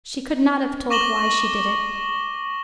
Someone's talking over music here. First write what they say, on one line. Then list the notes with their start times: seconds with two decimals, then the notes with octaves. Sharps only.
She could not have told why she did it.
0.90 C#6 D6 A#6 E7 F#7 G7